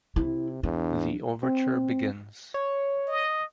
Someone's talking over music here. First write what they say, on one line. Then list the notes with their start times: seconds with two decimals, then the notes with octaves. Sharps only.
The overture begins.
0.16 C3 E4
0.63 E2 D4
1.43 C4
2.54 C#5
3.08 D#5